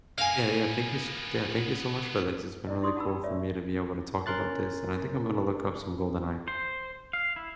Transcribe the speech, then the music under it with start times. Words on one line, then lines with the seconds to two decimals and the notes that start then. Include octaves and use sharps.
Yeah, yeah, thank you s yeah, thank you so much for this; it's been really cool for me to be able to talk about this, and I think I'm gonna look up some "GoldenEye."
0.18 A#3 B3 F5 G#5
2.67 E4 D5 D#5
2.82 D#4 E4 D5 C6 C#6 D#6
2.96 D#4 F#5 A5 B5 E6
3.09 D4 G4 A#5
3.23 C#5 D5 E5
4.26 C#4 A#4 C6 F#6 A6
6.48 C5
7.13 F5
7.36 E4